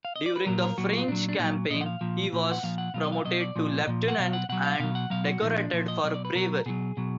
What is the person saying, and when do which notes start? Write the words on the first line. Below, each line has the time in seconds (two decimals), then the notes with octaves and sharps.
During the French Campaign he was promoted to Leutnant and decorated for bravery.
0.05 F5
0.16 D#5
0.26 D5
0.36 B4
0.46 A#2 F#3 A#4
0.62 A#4
0.78 A#2 F#3 F#4
0.93 F4
1.08 A#2 F#3 D4
1.29 D4
1.39 A#2 F#3 D#4
1.70 A#2 F3 D#5
1.81 F#5
1.86 F5
2.01 A#2 F3
2.32 A#2 F3
2.52 F#5
2.63 A#2 F3 F5
2.78 F#5
2.94 B2 F#3 F5
3.03 D#5
3.12 F5
3.25 B2 F#3 D#5
3.40 D5
3.56 A#2 F3
3.87 A#2 F3
4.08 F#5
4.18 B2 F#3 F5
4.33 F#5
4.49 B2 F#3 F#5
4.65 F5
4.80 B2 F#3 F5
4.95 F#5
5.10 B2 F#3 F5
5.27 F#4
5.42 A#2 F3 D#4
5.57 D4
5.73 A#2 F3
5.88 D#5
6.03 B2 F#3 D5
6.14 D5
6.25 B4
6.35 B2 F#3 A#4
6.66 B2 F#3 G#4
6.97 B2 F#3